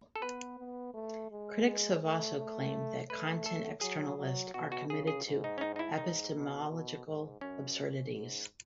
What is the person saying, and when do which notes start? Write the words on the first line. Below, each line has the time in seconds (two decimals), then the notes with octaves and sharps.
Critics have also claimed that content externalists are committed to epistemological absurdities.
0.16 A4
0.22 B3 B4
0.59 B3
0.94 A3
1.31 G#3
1.66 G#3
2.03 A3
2.38 A3
3.10 A3 B4
3.46 A4
3.81 F#3 G#4
4.18 F#3
4.54 B2 F#4
4.72 F#4
4.90 C#3 G#4
5.07 G#4
5.25 G#2
5.44 D#4
5.58 C#4
5.61 D#4
5.76 D#4
5.79 E4
5.97 G#2 D#4
6.34 B2
6.69 B2
7.06 G#2
7.41 F#2 C#4
8.13 G#2